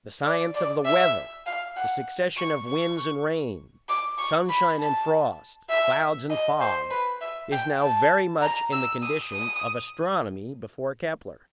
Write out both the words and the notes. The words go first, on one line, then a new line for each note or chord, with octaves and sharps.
The science of the weather, the succession of winds and rain, sunshine and frost, clouds and fog, is now very much in the condition of astronomy before Kepler.
D5
D5
E5
F5
F#5
C#6
C#6
D6
C#6
B5
A5
E5
D#5
C5
B4
E5
G5
A5
A#5
E6
D#6
D#6